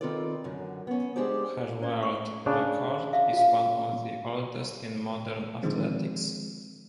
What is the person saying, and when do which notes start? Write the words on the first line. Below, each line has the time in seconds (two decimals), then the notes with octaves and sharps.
Her world record is one of the oldest in modern athletics.
0.01 D#3 C4 F4 A4 B4 D5
0.44 F#2 D3
0.87 B3 C#4
1.16 G#3 D4 G4 G#4 C5 D5
1.82 C#4 C5 D5
2.03 C#6
2.46 C#3 D4 D5
3.13 E5 F5
3.33 F4 F5
5.63 D3 D#3 F3 G#3 C4